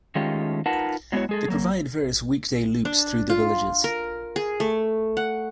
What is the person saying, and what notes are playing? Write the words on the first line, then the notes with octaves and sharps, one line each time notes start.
They provide various weekday loops through the Villages.
D#3 G#3 A3 C#4 F4 G4
D#4 F4 A#4 B4 F#5 A5
F#3 G#3 B3 E4 F#4 C#5
G#3 G#4 A4
F#3 A#3
D4
F4
A#4
G#4
A3
F#5